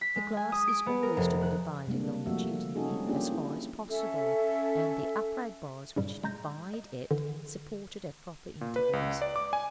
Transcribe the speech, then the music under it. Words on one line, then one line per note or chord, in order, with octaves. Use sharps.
The glass is always to be divided longitudinally as far as possible, and the upright bars which divide it supported at proper intervals.
B6
G#3
G#5
D#6
D7
B3
A#4
F1
F#6
C3 G3 G#3 A#3 D4
F3 G3 A3 A#3 F#4 E5
C#4 D#4 F#4 G#4 A4
G3 G#3 C4
A#3 C#4 D4 F4 G4 G#4
E4
C#4 A4 E5
G2 A#2 C#3 G3
G#3 A#5 G6 A#6
D#5
D3 E3
A#2
B4
C#2
D5
D6
G#5